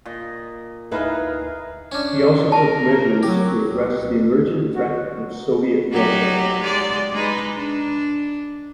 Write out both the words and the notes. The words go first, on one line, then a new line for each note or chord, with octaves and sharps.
He also took measures to address the emerging threat of Soviet Russia.
A#2 D#5
D#4 E4 G#4 B4 D#5 F5
C#4 D4
A#4 A5
F#3 G4
F#4
F#3 D#4 G4
G#3 D5
G#3 D#4 B4
D4